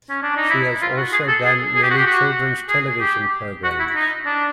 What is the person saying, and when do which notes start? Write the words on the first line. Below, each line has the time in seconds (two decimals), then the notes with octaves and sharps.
She has also done many children's television programs.
0.09 C#4
0.22 D4
0.37 D#4
0.50 E4
0.82 F4
0.97 F#4
1.13 G#4
1.28 A4
1.45 G#4
1.75 G#4
1.83 G4
1.91 F#4
1.98 G4
2.07 F#4
2.69 G#4
3.00 G4
3.64 F#4
3.80 E4
3.95 D#4
4.25 D4